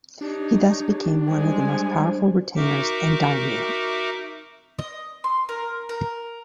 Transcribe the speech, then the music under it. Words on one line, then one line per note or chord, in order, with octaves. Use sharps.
He thus became one of the most powerful retainers and daimyo.
D4 D#4 G4 C#5
G3 G#3 C5 G#5
D#4 F#4 A#4 E5 D6
D#5
C6
A#4
A#4